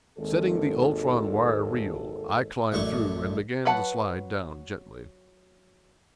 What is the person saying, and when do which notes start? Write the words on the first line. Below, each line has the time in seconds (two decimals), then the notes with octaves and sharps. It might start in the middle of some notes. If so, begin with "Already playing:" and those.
Setting the ultron-wire reel, I climbed through, and began to slide down gently.
0.18 G#1 D#2 A4
2.72 A1 F#2 A3 D4 C#6
3.65 F#3 B4 F#5 A5